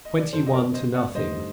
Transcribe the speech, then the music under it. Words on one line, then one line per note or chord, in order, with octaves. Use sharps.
"Twenty-one to nothing."
D#5
D5
F#2 D3 F#3 A4 C5
D#5
A#4 D5
C5 D#5
D5 F#5
G2 D3 A3 D#4 G4 C5 D#5